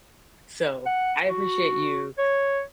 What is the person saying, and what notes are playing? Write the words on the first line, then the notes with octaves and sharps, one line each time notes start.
So, I appreciate you.
F#5
F#4
C#5